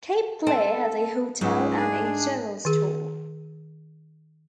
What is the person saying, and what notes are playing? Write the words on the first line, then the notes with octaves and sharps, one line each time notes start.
Cape Clear has a hotel and a general store.
C4 A4
C#2 G#2 F#3
D4 G#4
G#4
D#3 G#4